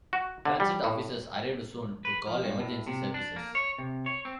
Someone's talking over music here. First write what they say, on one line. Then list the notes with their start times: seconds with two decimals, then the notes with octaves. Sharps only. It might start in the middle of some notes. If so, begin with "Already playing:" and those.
Transit officers arrived soon to call emergency services.
0.13 F#4
0.45 D3
0.60 G3
0.84 A2
2.05 B4
2.27 F3
2.44 G2
2.60 A2
2.87 C3
3.14 D4
3.36 A#3
3.55 C#5
3.78 C3
4.06 C#5
4.25 C4